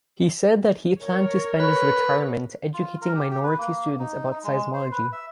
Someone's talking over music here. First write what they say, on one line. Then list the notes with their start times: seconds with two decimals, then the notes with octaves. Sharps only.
He said that he planned to spend his retirement educating minority students about seismology.
1.00 A#4 C#5
1.60 B4
2.74 F4
3.02 A#4
3.15 G4
3.31 G4
3.44 B4
3.58 A#3
3.99 D#4
4.31 D#4
4.44 G#3
4.74 C5
4.92 B4
5.13 E5